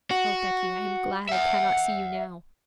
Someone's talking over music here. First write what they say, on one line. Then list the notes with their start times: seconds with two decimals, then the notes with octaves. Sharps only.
O Becky, I am glad I cannot see you now!'
0.11 F#4
1.29 E5 F#5